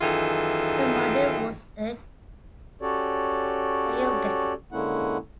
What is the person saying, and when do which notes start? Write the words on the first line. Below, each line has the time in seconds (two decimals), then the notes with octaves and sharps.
Her mother was a choreographer.
0.01 F#2 D#3 E3 F4 G#4 A4
2.82 C#4 F#4 G4 A4 C#5 D5
4.72 D3 G#3 A#3 C#4 E4 F#5